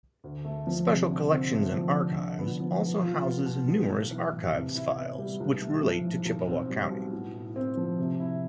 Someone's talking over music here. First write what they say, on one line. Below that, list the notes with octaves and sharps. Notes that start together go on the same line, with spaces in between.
Special Collections and Archives also houses numerous archives files which relate to Chippewa County.
D2
A3
F3
C3
D3
C4
A3
F3
D3
D3
B3
F3
B1
F4
B3
B2
B1
B1
E3
A2
C3
E4
B3
G3
B1
A3
F3
A2
B1
C4
G3
B2
A2
A2
C4
F3
C3
E4